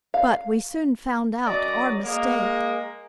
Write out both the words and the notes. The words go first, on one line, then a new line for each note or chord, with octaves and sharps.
But we soon found out our mistake.
F5
F#2 F#3 D5 D#5
G#3 A#3